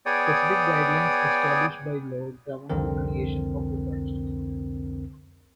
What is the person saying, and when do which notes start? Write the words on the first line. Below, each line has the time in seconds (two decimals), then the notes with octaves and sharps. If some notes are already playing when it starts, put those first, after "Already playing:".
Specific guidelines established by law govern the creation of the budget.
0.06 B3 G#4 C#5 D5 G5 D#6
2.70 C2 F2 D3 C4 A#4